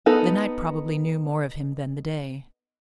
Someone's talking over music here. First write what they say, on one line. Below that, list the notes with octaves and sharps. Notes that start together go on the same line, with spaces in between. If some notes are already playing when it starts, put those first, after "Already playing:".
The night probably knew more of him than the day.
B3 D#4 A4